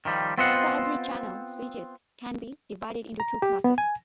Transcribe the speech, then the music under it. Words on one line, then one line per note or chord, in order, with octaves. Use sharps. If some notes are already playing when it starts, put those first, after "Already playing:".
Fibre Channel switches can be divided into two classes.
D#3 F3 G3
B3 C4 F4 C5 D#5 F#5
A#5
G4
B3
G#5